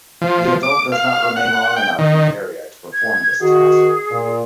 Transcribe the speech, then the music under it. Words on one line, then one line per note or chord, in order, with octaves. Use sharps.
The adult does not remain long enough in the area to perform this task.
F3
D6
F5
F#5
G5
D#3
G#6
D#3 F#4 G#4
A#2